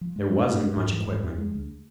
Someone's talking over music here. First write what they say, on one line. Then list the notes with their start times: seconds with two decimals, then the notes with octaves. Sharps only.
There wasn't much equipment.
0.01 F3
0.16 G#3
0.32 D4
0.47 A3
0.62 G#3
0.77 G#2
0.93 E3
1.08 G#2
1.23 F2
1.38 G#3
1.54 D2